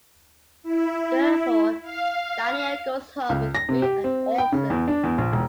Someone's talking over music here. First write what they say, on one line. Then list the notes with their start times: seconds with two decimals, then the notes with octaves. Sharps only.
Therefore, Danielle goes home with Bree and Orson.
0.63 E4
1.82 F5
3.29 C#2
3.55 A#6
3.69 C3
3.82 G4
4.04 C4
4.38 G5
4.52 C#3
4.70 E2
4.88 D4
5.03 E2
5.18 A#1
5.32 E1